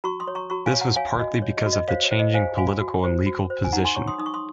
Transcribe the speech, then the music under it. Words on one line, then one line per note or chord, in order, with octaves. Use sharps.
This was partly because of the changing political and legal position.
F#4 A#5 C#6
C6 D#6
C#5
A#5 C#6
F#4 A#5 C#6
F5 G#5
C#5
F#5 A#5
C#5 F5 G#5
F#4 D#5
C#5
D#5
F#4
D#5
C5 C#5 F5
C#5
C5
D#5
C5 F5 G#5
F#4 F5 G#5
F#4
C5
F#4
C5
G#5
D#4 F#5 A#5
G#5 C6
C#5 A#5 C#6
C6 D#6
D#4 D#6
C#6
C6 D#6